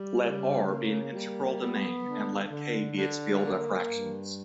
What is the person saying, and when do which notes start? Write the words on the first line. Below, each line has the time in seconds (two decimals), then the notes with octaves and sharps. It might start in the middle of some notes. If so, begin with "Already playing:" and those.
Let "R" be an integral domain, and let "K" be its field of fractions.
Already playing: G3
0.20 C#3
0.66 A#3
1.12 G3
1.58 B3
2.03 D3
2.49 D3
2.96 D3
3.42 A#3
3.88 G2